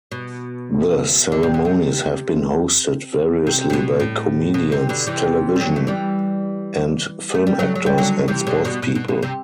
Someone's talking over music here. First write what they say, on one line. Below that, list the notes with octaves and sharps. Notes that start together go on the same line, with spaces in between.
The ceremonies have been hosted variously by comedians, television and film actors, and sportspeople.
B2
D3
C3
B2
C3
C3
C3
B2
A2
B2
C3
B2 D3
C3 E3
G3
D3 F#3
A3
E3 G3
A3
G3
F#3 A3
F#3
G3
D3 F#3
C3 E3
B2 D3
B2
B2
B2
B2
C3